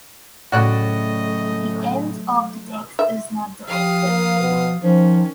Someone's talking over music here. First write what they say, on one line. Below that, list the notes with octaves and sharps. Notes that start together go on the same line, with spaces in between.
The end of the text is not defective.
A2 C#3 F#3 A3 F#4 D5 D#5 F#6
E5
F3 G4 F5 D#6
A#3
B2
D#3 F3 C#4 C5